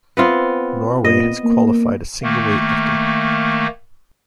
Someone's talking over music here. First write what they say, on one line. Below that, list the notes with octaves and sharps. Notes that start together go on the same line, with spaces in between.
Norway has qualified a single weightlifter.
B3 C4 F4
A#2 D#5
A#3
D#3 A3 A#3